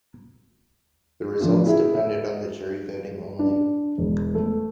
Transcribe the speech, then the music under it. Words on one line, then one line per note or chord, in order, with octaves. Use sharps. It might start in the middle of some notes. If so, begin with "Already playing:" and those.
The results depended on the jury voting only.
F3 A3 D4 F4
E4 G#4 E5
A4 E5
D4
E1
A3